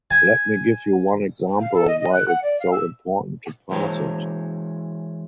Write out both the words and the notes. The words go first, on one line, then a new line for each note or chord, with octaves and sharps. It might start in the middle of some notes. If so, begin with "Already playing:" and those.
Let me give you one example of why it’s so important to pass it.
G#5
F5
A4
D#5
D#5
F#6
F#5
D5
F5
E6
E3 G#3 A#3 C5 C#5 A#5